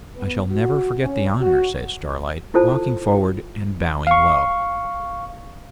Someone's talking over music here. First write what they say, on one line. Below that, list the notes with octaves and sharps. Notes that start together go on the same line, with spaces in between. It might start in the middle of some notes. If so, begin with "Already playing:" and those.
'I shall never forget the honour,' says Starlight, walking forward and bowing low.
B3
F#4
C#4
F#4
E4 F4 A4 C5 A5
F5 C#6